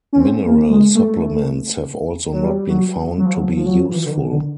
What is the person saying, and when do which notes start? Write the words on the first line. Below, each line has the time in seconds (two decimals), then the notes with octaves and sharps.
Mineral supplements have also not been found to be useful.
0.13 C#4
0.20 C4
0.46 A#3
0.70 G#3
0.95 A3
2.33 F#3
2.44 G3
2.68 F#3
3.18 F#3
3.26 F3
3.34 F#3
3.55 F3
3.66 F#3
3.77 F3
3.92 E3
4.05 D3
4.10 D#3
4.30 D3